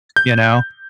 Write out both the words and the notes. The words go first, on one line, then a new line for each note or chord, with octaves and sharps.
you know,
G6